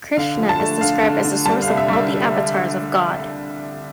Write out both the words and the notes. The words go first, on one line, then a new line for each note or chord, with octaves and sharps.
Krishna is described as the source of all the avatars of God.
D3 F5
F3
A5
A3
D3 F5
D3
D3
G3 A5
F5
C2
E5
G3 E5